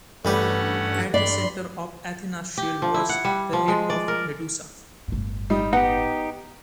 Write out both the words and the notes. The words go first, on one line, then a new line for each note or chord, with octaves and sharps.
At the center of Athena's shield was the head of Medusa.
A1 G2 G3 A3 C#4 B4 F#5
G2 D5 B5 C6
G4
F3
E4
F#5
G3
F3
G#3
D5
A#4
G1 A2
G3 D#4
B3 D#4 G4 F#5